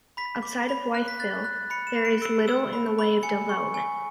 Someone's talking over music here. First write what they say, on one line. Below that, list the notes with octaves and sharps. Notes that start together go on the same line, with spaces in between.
Outside of Wytheville, there is little in the way of development.
B5 B6
D6
B5
F#6
B6
F#6 A6
F#6
B5 C#7
E7
B5
D7
E6 D7
E6
B5
B5
G#5 C#7
C#6
G#5